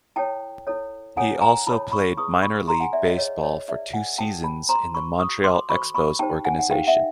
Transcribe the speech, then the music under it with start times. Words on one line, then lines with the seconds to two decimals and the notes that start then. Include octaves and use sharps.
He also played minor-league baseball for two seasons in the Montreal Expos organization.
0.16 E4 A4 C#5 G5 A5
0.67 E4 A4 C#5
1.17 E4 A4 C#5 F#5 G#5
1.41 G#5 A#5
1.67 E4 A4 C#5 A5 B5
1.92 B5 C#6
2.17 E4 G#4 B4 C#6 D#6
2.42 B5 C#6
2.67 E4 G#4 B4 A#5 C6
2.80 F#5 G#5
2.93 D5 E5
3.05 C#5 D#5
3.17 E4 G#4 B4 C#5 D#5
3.43 C#5 D#5
3.68 E4 G#4 B4 D5 E5
3.93 F#5 G#5
4.18 F#4 A4 C5 G5 A5
4.44 A5 B5
4.68 F#4 A4 C5 A#5 C6
4.94 B5 C#6
5.19 F#4 A4 C5 C#6 D#6
5.44 C6 D6
5.69 F#4 A4 C5 B5 C#6
5.94 B5 C#6
6.19 D#4 G4 C5 G5 A5
6.45 F#5 G#5
6.59 F#5
6.70 D#4 G4 C5 F5 G5
6.87 E5 F#5